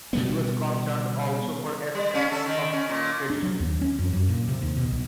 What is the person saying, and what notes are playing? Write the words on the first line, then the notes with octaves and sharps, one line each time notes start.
He was concerned also for aspects of tradition.
B2 G3 B3
G3
C#4
A4
D#3
C#4
A#2
D4
F#3
D#2
C#4
F2
F#2
A#2
C3
D#2
B2
B1